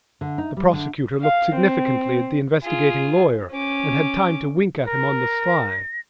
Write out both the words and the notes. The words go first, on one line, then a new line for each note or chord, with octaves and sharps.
The prosecutor looked significantly at the investigating lawyer, and had time to wink at him on the sly.
D3
D#4
G3
D3
F5
C4
F4 G#4
C#4 D6
A#4 A#6